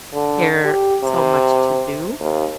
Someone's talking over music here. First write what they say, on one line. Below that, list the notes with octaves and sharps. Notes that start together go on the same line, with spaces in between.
care so much to do,
D3
G4
C3
D#2